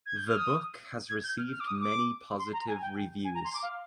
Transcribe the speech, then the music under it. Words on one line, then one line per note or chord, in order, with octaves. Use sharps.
The book has received many positive reviews.
G#6
G6
F6
D#6
G#6
G6
F6
F6
D6
D#6
D6
C6
A#5
G#5
G5
G#5
A#5
C6
D6
F5